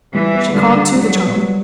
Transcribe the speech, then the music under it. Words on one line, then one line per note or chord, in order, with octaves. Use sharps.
She called to the child.
E3 G3
B3
D3 G3
D4
F#3 G3
B3
G3